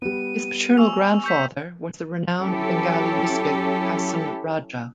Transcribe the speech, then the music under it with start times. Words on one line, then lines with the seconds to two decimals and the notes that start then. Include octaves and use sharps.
His paternal grandfather was the renowned Bengali mystic Hason Raja.
0.02 G3 B3 D#7
0.77 G#5 C#6 E6 F7
1.24 C#6 G6 B6 C#7
2.37 F#3 C#4 E4 G4 A4